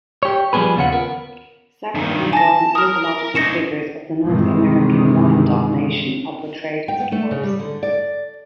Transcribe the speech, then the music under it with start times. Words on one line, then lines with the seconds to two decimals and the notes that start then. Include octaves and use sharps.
Several important mythological figures of the North American Wyandot nation are portrayed as dwarfs.
0.23 G4 C#5
0.53 F3 G3 B3 G#4 B4
0.76 D#2 C#3 F4 C#5 F#5
0.92 B3 A#4
1.95 G2 D#3
2.33 G#5 A5 A#6
2.75 A#4 D#6 F6
3.35 C#4 D#4 A#6 C#7 E7
4.26 G2 C3 D#3 E3 G#3
6.88 G5
7.00 B3
7.12 A3
7.31 C#3
7.43 G3
7.59 D3
7.83 D5